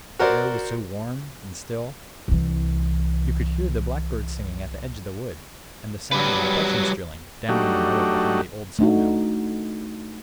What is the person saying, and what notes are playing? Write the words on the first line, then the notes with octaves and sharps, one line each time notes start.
The air was so warm and still,--you could hear the blackbird singing at the edge of the wood, and the sound of the Prussians drilling, down in the meadow behind the old sawmill.
F#4 A#4 C5 D5
C2 E3
F#3 G3 B4
F#3 A3 D4 D#4 F#4 G4
A3 D4 D#4 F#4